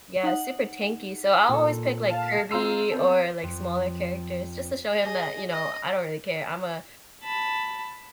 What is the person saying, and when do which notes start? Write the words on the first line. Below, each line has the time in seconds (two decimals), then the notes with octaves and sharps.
Yeah, super tanky, so I'll always pick, like, Kirby or, like, smaller characters just to show him that, you know, I don't really care. I'm a
0.23 D#4 F#5
1.49 A#2 A4
2.07 F5 A5
2.51 C4 F4 A#5 C6 E6 C7
2.92 B3 C4 A4
3.43 F2
5.02 G#4 D#5
5.50 D#5
7.23 A5 B5